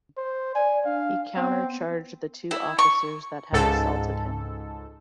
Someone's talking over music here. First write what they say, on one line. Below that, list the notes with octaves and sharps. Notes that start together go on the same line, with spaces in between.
He counter-charged the two officers that had assaulted him.
C5
D5 G#5
D4 F5
B3 C4
E4
C#6
C#2 G#2 A4